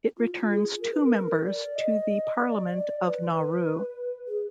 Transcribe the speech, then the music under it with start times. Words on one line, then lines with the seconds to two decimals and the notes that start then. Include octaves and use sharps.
It returns two members to the Parliament of Nauru.
0.18 F4
0.34 F4
0.50 G#4
0.81 A#4
0.92 B4
1.04 A#4
1.45 D5
1.75 D#5
2.39 D5
3.02 D5
3.06 B4
4.27 G#4